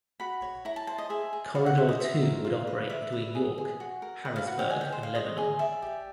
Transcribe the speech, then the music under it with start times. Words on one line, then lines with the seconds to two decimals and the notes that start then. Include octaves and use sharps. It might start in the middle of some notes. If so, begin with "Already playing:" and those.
Corridor Two would operate between York, Harrisburg, and Lebanon.
0.20 F#4 B5
0.42 C#5
0.65 E4 A#5
0.76 A5
0.87 C5 A5
0.98 D#5
1.10 G#4 E5
1.33 G#4
1.55 F#4 F5
1.66 F#5
1.77 C5 E5
1.89 D#5
2.00 F#4 E5
2.23 A#4
2.45 F4
2.67 B4
2.90 D5 E5
3.12 B4
3.35 G#4
3.58 G#4
3.80 F#4
4.02 A#4
4.25 B4
4.36 F5
4.47 F#4 F#5
4.59 G5
4.70 D#5 G#5
4.81 G5
4.92 C5
5.03 F5
5.15 C#5 D#5
5.38 G#4
5.59 D5 E5
5.82 G4